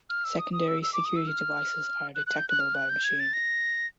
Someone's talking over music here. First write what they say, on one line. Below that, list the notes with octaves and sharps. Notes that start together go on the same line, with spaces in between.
Secondary security devices are detectable by a machine.
F6
E6
D#6
D#6
E6
E6
D6
D#6
E6
F6
F#6
F#6
G6
F#6
F6
F#6
G6
G#6
A6
A#6